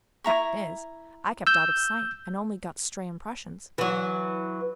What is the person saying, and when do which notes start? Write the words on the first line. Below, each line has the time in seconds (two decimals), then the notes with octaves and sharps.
Fact is--I kept out of sight and only got stray impressions.
0.24 E4 A#5 C#6
1.47 E6 G6
3.78 E3 F#3